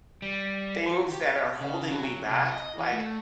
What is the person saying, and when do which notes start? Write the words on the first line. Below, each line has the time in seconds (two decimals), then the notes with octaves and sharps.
things that are holding me back, like,
0.22 G3
1.12 G4
1.61 C#3
1.91 F#3
2.29 C3
2.49 D#5
2.78 E3
2.92 A3